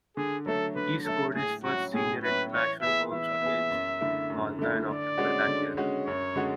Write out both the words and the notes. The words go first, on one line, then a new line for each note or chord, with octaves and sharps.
He scored his first senior international goals against Malta in October that year.
D3 G#4
F#3 A3 A4
D3 B4
F#3 A3 A4
A2 G#4
F#3 C#4 E4 F#4
A2 G#4
F#3 C#4 E4 B4
E3 C#5
B3 E4 G#4 E5
E3 E5
B3 E4 G#4
F#2
D3 A3 E4
F#2
D3 A3 E4
D3 D5
G#3 C#4 F#4
D3
G#3 C#4 F#4
F#2 C#5
D3 G#3 C#4 F#4